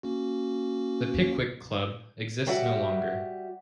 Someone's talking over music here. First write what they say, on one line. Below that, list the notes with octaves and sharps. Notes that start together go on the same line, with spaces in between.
The Pickwick Club exists no longer.
A#3 C#4 F#4
G3 F#4 E5 F#5